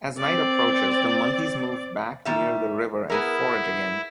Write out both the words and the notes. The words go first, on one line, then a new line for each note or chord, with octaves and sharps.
As night approaches, the monkeys move back near the river and forage again.
C4 D5
D#3 G3 E5
B3 E4 G#4 A#4